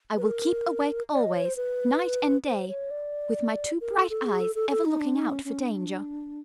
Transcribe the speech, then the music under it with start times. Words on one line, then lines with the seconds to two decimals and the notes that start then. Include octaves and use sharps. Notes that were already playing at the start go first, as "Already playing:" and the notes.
I will keep awake always, night and day, with my two bright eyes ever looking out for danger.
0.17 B4
0.22 A#4
1.12 D5
1.23 D#5
1.34 C#5
1.45 C5
1.56 B4
2.45 C5
2.68 C#5
2.91 D5
3.81 A#4
3.96 A4
4.10 A4
4.26 G#4
4.40 A4
4.55 A4
4.70 A4
4.85 D#4
5.00 D4
5.15 D#4
5.30 C#4
5.45 C#4
5.60 D4